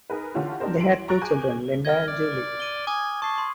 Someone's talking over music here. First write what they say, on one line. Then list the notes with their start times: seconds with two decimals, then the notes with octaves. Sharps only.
They had two children, Linda and Julie.
0.10 D#4 G#4 A#4 B4
0.35 D3 E3 C#4 F4 G4
0.60 C4 D4 D#4 G4 A#4 C5
0.80 E3 C6 D7 F#7
1.08 A#5 C#6 F#6 A6 A#6 D7
1.21 G#4 G#5 C#6 D6 G6
1.85 D#5 F6 G#6
2.07 D5
2.60 D#7 G7
2.87 G#5 D6 D#6 G#6
3.22 A5 C#6 C7
3.38 C6